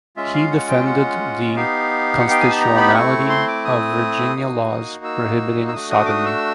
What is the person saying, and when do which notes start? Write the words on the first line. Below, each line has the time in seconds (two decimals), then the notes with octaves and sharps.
He defended the constitutionality of Virginia laws prohibiting sodomy.
0.16 G#3 C#4 F4 E5
0.34 F5
0.51 F#5
0.69 G5
0.86 F#5
1.56 B3 D#4 G4 F5
2.20 F#5
2.30 G5
2.40 G#5
2.50 A5
2.61 A#5
2.78 B5
2.95 A3 C4 E4 C#6
3.30 C6
3.48 D6
3.65 D#6
4.35 A#3 D#4 F#4
5.04 E6
5.68 E6
5.73 A3 D4 F#4 D#6
5.91 D#6
6.05 D6
6.09 D#6
6.26 E6